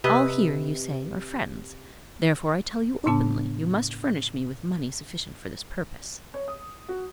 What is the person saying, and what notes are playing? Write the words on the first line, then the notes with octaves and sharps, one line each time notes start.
All here you say are friends; therefore I tell you openly, you must furnish me with money sufficient for this purpose.
C3 B4 D#5
A2 C#3 B3 D4 A5
C#5
D#6
F#4